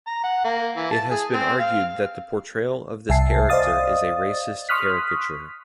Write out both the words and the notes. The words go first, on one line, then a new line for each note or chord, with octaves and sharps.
It has been argued that the portrayal of this character is a racist caricature.
A#5
F#5
A#3
E3
A5
G#4
C4
F5
C2 E5 G#5 A5 C7
C5 D5 D#5 F5 D#6 A6
C6 C#6 D#6 F6 F#6 B6